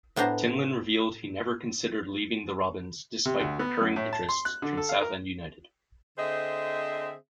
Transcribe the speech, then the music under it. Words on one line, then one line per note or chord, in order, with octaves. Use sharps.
Timlin revealed he never considered leaving the Robins despite recurring interests from Southend United.
A2 B3 D4 C5 A#5
C3
D2
B3
F#2
A2
A5
C6
F#6
D3
A4
F5
A#4
D3 C4 G#4 C5 D#5 E5